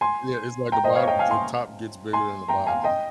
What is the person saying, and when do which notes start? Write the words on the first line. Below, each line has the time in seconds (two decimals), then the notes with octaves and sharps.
Yeah, it's like the bott the top gets bigger than the bottom,
0.01 G#5 C6
0.72 G5 A#5
0.84 C5 D#5
0.95 C#5 F5
1.07 D#5 G5
1.19 F5 G#5
1.31 G#5 C6
2.13 G#5 C6
2.48 G5 A#5
2.67 F5 G#5
2.84 D#5 G5